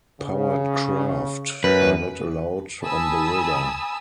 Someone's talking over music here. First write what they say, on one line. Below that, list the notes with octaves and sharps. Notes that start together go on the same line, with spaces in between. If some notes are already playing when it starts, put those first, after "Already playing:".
Powered craft are not allowed on the river.
C#3
F#2 B4
G#5 A5 B5 D#6 E6